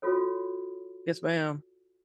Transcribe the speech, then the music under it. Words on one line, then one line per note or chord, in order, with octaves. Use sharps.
Yes, ma'am.
F4 F#4 A4 C#5